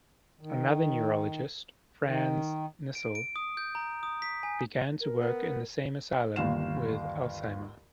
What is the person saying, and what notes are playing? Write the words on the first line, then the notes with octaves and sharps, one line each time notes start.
Another neurologist, Franz Nissl, began to work in the same asylum with Alzheimer.
D#3
D#3
D7
D7
D#6
G6
A#5
D#6
B6
G#5
A#4
B3
G1 D#2 F5 E7